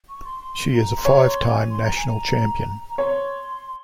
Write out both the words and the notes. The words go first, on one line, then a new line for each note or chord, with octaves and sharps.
She is a five-time national champion.
C#6
C6
C6
A#5
C6
C#5 A#5
C6
G#5
C6
A#5
G#5
A#5
A#5
C#5 C6